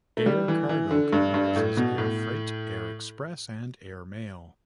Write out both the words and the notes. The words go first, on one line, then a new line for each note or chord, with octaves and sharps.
Air cargo comprises air freight, air express and airmail.
A3
G3
E3
E3
D3
G2
G2
A2
B2
A2